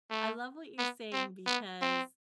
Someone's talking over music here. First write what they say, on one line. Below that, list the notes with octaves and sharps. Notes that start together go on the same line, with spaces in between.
I love what you're saying because,
A3
B3
C4
B3
C4